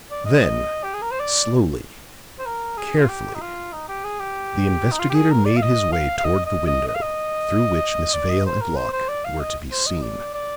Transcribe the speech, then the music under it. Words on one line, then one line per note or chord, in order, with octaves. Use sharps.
Then slowly, carefully, the investigator made his way toward the window through which Miss Vale and Locke were to be seen.
D5
D#5
D#5
G4
G#4
A#4
C5
D5
C5
A#4
G#4
F4
G4
D#4
F4
D#4
G4
G#4
G4
D#4
F4
G4
G#4
A#4
D5
F5
D#5
F5
F5
D#5
D#5
D#5
D#5
F5
D#5
D5
D#5
C5
A#4
C5
C5
D5
F5
D#5
C5
D#5
D5
D5